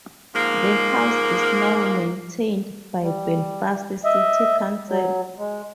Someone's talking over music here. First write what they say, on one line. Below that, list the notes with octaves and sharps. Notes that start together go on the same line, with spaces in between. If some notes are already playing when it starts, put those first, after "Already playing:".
The house is now maintained by Belfast City Council.
G#2 F3 A#3
G3
D#5 E5
F#3
G#3